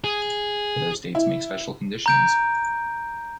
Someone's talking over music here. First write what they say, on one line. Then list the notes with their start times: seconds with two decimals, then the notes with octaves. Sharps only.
Other states make special conditions.
0.04 G#4
1.15 E4
2.06 A#5 G6 D7